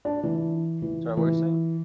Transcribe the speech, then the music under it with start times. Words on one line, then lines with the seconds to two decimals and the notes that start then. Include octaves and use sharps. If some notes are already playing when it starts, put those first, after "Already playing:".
Sorry, what were you saying?
0.05 D4
0.23 E3
0.82 E3
1.17 E3